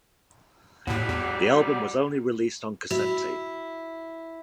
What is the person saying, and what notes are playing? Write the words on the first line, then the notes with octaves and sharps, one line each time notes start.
The album was only released on cassette tape.
D#2 A2 G3 F#4
E2
E4 F#4